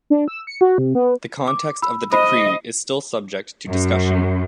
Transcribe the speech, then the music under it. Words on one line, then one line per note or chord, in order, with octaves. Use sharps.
The context of the decree is still subject to discussion.
D4
E6
C#7
F#4
C3
B3
D6
B5 E6
C5 D#5 B5
F#2